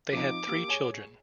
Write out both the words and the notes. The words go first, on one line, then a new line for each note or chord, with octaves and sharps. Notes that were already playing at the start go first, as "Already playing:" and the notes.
They had three children.
F3 C4 D#4 D6
A#3 G4 E6
G#4 C#5 G#5